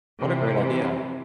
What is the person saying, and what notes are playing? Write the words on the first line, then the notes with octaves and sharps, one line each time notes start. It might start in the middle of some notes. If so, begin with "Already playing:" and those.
What a great idea.
C3 E3